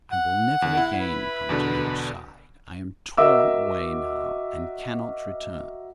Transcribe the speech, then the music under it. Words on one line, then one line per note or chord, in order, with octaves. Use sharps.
"I will never again come to your side: I am torn away now, and cannot return."
F#5
E2
E4
B4
E2 B2 D3
F#4 A#4 D#5 E5 D6 E6